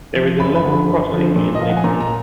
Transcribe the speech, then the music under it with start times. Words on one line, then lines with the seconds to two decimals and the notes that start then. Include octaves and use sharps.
There is a level crossing in Lydney.
0.15 F3
0.40 F#2 B5
0.56 B5
0.64 D3 F3
0.72 B5
0.88 F#2
1.12 D3 F3
1.36 A#2
1.55 D#5
1.60 F3 F5
1.70 F#5
1.77 G#5
1.84 A#2 A#5
2.00 A#5